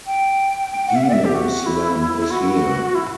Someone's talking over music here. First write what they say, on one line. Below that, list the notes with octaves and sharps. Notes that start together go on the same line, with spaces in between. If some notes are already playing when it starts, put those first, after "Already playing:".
Demo Slam is here!
G5
G5
F#5
E5
F#5
D5
E5
G4
F#4
E4
E4
F#4
E4